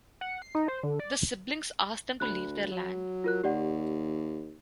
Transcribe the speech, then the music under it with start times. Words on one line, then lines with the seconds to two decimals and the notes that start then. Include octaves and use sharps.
The siblings ask them to leave their land.
0.21 F#5
0.42 C7
0.55 D#4
0.68 C5
0.83 D3
1.00 D5
2.20 D2 B5 F#6
2.71 F#3
3.24 F4 A#4 F#6
3.44 D#2 G4 D5 F#5